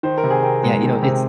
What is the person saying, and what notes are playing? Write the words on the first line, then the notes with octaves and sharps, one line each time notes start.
yeah, you know, it's
D#3 C5
A#4
C3
G#4
C4 A#4
G#3
D#3
C3